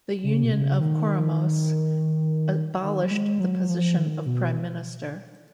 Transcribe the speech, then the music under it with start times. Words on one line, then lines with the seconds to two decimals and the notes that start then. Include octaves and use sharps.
The Union of Comoros abolished the position of Prime Minister.
0.23 C#3
0.43 B2
0.52 C#3
0.80 D#3
2.82 D#3
3.04 F#3
3.11 G#3
3.39 F#3
3.68 F3
3.97 D#3
4.26 B2